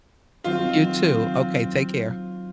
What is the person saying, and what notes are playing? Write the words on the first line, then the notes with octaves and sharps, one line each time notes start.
You too, okay, take care.
D#3 F#3 C4 F4